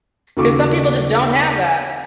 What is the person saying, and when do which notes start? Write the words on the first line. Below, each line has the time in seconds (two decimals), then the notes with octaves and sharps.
'cause some people, just, don't have that.
0.37 D#2 C#3 F#4 A4 C#6 D6